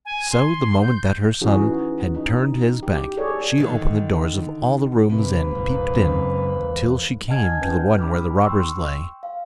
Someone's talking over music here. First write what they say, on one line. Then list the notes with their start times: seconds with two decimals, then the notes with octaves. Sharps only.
So the moment that her son had turned his back, she opened the doors of all the rooms, and peeped in, till she came to the one where the robbers lay.
0.05 G#5
0.31 C6
0.82 G6
1.41 E3 C#4 D#4 F#4 G#4
2.15 D#4
2.83 G4
3.17 G#4 A4 C#5 D5
3.58 D3 D#3
5.10 G#2 C3 A#3 B4
5.51 F1 A#1
5.95 F#2 C#3 C4
6.54 E2
7.28 D#5 F#5 G#5 A5 F6 G#6
7.61 C#4 B4 G5 G6
7.99 B5 D6 F6
8.45 G5 C6 C#6 E6
9.23 F5